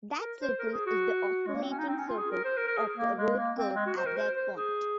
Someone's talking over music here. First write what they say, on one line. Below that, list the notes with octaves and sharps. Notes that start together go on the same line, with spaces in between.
That circle is the osculating circle of the road curve at that point.
A#4
C5
A#4
G#4
F#4
G#3
A#3
C4
C#4
D#4
C4
C#4
F4
G#4
A#4
C5
A#4
A#4
G#4
A#3
G#3
A#3
C4
G#3
F#4
C5
A#4
C5
C5
G#4